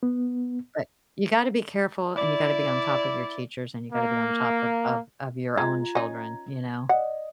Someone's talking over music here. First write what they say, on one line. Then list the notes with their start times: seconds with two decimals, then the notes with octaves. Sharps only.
but you gotta be careful, and you gotta be on top of your teachers, and you gotta be on top of of of your own children, you know?
0.03 B3
2.17 E4 D5
3.91 A#3
5.57 G#3 F4 A#5 G#6
5.95 C#4 D#4
6.89 D5 D#5 F#5